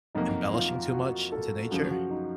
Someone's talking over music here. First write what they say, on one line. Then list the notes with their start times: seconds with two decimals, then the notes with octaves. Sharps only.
embellishing too much into nature?
0.15 F2 C3 F#3 A#3 D#4
0.54 F4
0.92 F#4
1.32 A4
1.71 F#2 C#3 F3 F#4
1.91 F#4
2.10 D#4